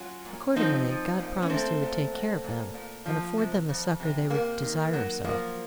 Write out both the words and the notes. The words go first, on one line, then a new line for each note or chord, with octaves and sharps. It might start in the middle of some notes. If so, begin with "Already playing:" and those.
Accordingly God promised he would take care of them, and afford them the succor they were desirous of.
Already playing: F#3 C#4 F4
A#2
F3 C4 D#4
F3
A#2
C#4
A#2 A3 C4
A#2
F#3
A#2
A#2
F3
C3
F2
C3
C3 A#3
D#3
F#3
F3 A#3